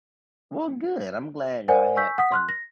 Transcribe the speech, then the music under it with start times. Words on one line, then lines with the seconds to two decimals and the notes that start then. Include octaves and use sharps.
Well, good, I'm glad I had some,
1.68 A#4 C5 D5 F#5 G#5
1.96 G#5 C#6 E6 G6 B6
2.18 F#5 D#6 B6
2.32 C6 F6 F#6
2.49 A#6